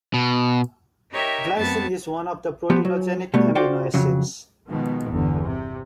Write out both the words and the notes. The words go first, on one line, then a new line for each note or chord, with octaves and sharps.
Glycine is one of the proteinogenic amino acids.
B2
D#4 G4 A#4 C#5 E5
F#2 A3 B3 C4 A5 G#6
F3 B3 G4
F#3
B2 G3 A3 B3
F4 F#4 C5 D5 F5 G5
F2 C#3 F#3
B2 D#3 F3 G#3 B3
G1 E2 D3
C3